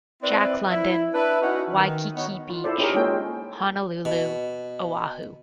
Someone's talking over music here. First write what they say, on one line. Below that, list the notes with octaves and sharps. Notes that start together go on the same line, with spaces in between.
Jack London, Waikiki Beach, Honolulu, Oahu.
C4 E4 B4 C5 D5
E4
D4 E4 B4
C#4 D#4 E4 F#4
D#3
B3 D#4 F#4 C#5
F4
E4 A4 C5 D5
C#4 D#4 G4 G#4 A#4
G#3 A#3 C#4 F4 A4 G5
B2